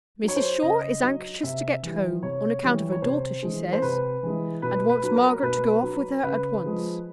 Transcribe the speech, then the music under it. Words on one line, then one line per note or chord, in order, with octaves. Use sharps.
Mrs. Shaw is anxious to get home--on account of her daughter, she says--and wants Margaret to go off with her at once.
F#3 C#5
C5
C#3 D#5
F#3
C3 E5
E3 G3
C3 C#5
E3 G3
C#5
C3 C5
E3 G#3
C5
C3 B4
E3 G#3
B2 B4
B4
F#3 B4
A#4
B2 B4
F#3
C#3 B4
F3 G#3